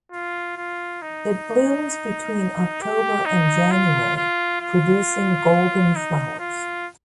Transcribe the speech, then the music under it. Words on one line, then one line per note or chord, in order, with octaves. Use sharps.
It blooms between October and January producing golden flowers.
F4
F4
D#4
G4
D#4
F4
F4
F4
D#4
F4